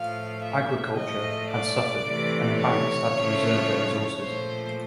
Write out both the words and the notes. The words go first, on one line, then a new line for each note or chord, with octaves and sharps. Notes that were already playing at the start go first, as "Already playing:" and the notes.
Agriculture had suffered and banks had to reserve their resources.
Already playing: A2 F3 A3 F5
E5
A2 F3 A3 D#5
D5
C3 E3 A3
C#5
C#3 F3 A3
A#2 F3 A3 C5